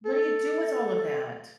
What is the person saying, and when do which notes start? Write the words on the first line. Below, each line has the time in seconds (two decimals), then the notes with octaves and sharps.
What do you do with all of that?
0.06 A4